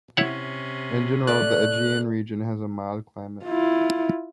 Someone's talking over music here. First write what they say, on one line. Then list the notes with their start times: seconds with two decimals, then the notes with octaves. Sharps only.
In general the Aegean region has a mild climate.
0.17 C3 C#4 E4 C#5 F#5
1.27 A3 D5 F#6
3.45 E4 F4